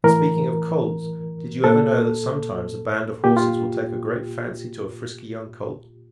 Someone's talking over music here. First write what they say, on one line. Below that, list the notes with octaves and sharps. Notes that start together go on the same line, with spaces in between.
"And speaking of colts, did you ever know that sometimes a band of horses will take a great fancy to a frisky young colt?"
A2 E3 A#4
A#2 A4
A#2 G4
F4